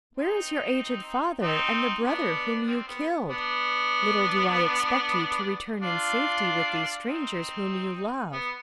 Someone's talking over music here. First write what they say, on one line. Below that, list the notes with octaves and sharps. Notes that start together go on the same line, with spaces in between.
Where is your aged father, and the brother whom you killed? Little do I expect you to return in safety with these strangers whom you love.
C4 D#4
C4 D#4
B3 D4
F3 C4
B3
B3 D4
D4 F4
C4 D#4
B3